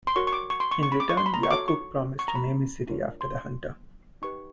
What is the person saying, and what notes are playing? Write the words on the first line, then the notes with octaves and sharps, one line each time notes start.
In return Yaqub promised to name his city after the hunter.
C6
F#4 A#4 C#5 C#6
C#6
D6
C#6
C6
C#6
C#6
B5
D6
C#6
C6
B5
A#5
C#6
F#4 A4 C#5 D6
C#6
C#6
A#5
B5
D4 F4 A#4 C#5
C6
D#4 G4 B4 C#6